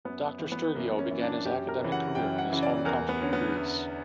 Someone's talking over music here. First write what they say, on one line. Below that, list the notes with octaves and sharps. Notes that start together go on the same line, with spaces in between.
Doctor Stergiou began his academic career in his home country, Greece.
F#2 B3
E3
B3
F#2 A#3
C#4
E3
D4
F#2 G4
A#4
C#3 E3
F#5
F#2 G5
F#5
C#3 E3
D5
E2 A#4
B3
D3 C#4
B3
E2